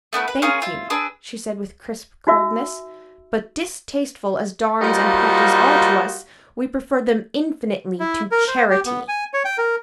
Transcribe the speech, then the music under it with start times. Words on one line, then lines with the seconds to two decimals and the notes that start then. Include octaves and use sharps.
"Thank you," she said with crisp coldness; "but, distasteful as darns and patches are to us, we prefer them, infinitely, to--charity!"
0.13 A3 B3 E4 B4
0.28 B4
0.42 C#4 F4 G#4 A#4
0.62 E4 F4
0.90 D4 G#4 B4 E6
2.27 D#4 F#4 E5 E6
4.82 F3 G3 A#3 D#4 F4 F#4
8.00 E4
8.32 A#4
8.48 C5
8.70 G4
8.86 B3
9.08 G#5
9.34 C#5
9.45 G5
9.58 A#4